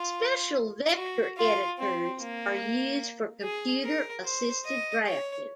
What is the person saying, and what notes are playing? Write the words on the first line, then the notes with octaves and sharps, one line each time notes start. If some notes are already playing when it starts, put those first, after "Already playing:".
Special vector editors are used for computer-assisted drafting.
Already playing: F4
F#4
F4
C4
A#3
G#4
A#4
C5
D#5
C#5